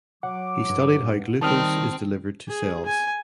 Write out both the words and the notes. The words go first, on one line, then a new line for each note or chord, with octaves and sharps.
He studied how glucose is delivered to cells.
F#3 F#5 D6
G2
D#3 G3 C4 D#4 A5 D#6 F6
G#4
G#5